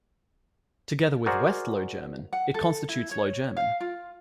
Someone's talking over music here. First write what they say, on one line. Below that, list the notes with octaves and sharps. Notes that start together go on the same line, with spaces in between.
Together with West Low German, it constitutes Low German.
F#4 G#4 A#4 C5 D5 F#5
F#5
A4
E4
C#5
F5
F4